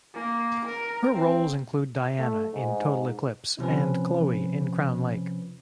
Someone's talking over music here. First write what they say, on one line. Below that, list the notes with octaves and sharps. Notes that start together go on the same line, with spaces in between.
Her roles include Diana in "Total Eclipse" and Chloe in "Crown Lake".
A#3
A#4
C4
A3
G#2
C3 F3 C#4 B4